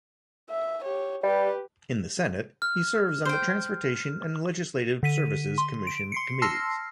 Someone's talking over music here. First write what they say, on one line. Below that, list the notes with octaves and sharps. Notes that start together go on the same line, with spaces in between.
In the Senate, he serves on the Transportation and Legislative Services Commission committees.
E5
G4 C#5
G3 G4 B4
F6
C5 G5
D3 B6 D#7
C6
D7
C6 C7 C#7
A5 C6 E6 F6 A#6 C7